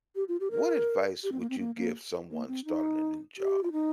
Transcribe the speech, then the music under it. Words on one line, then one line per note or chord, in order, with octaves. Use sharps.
What advice would you give someone starting a new job?
G4
F4
G4
A#4
G4
C4
A#3
C4
A#3
A#3
A#3
C4
D#4
G4
F4
D#4